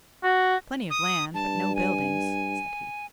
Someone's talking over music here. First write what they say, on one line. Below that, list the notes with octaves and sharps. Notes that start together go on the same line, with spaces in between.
"Plenty of land, but no buildings," said he.
F#4
D#6
G2 A5
G#5